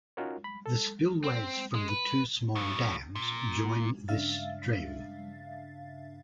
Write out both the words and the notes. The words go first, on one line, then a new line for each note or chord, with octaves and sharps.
The spillways from the two small dams join this stream.
C#4 D#4 F4 F#4 A#4 C#5
B5
A4
C4
G#3
B4
A2 F#3
A#2
G2 C#3 D4 E5 F5 A6